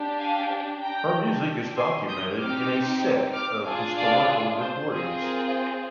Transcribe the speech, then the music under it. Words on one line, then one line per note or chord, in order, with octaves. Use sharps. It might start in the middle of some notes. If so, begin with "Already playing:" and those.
Her music is documented in a set of historical recordings.
Already playing: D4 G4
F5 G#5
G5 A#5
D4 G4
G#5 C6
D#6 G6
C4 D#4 G4 D6 F6
D6 F6
D4 F4 G#4 F5 G#5
D5 F5
C5
C4 F4 G#4
A#4
C5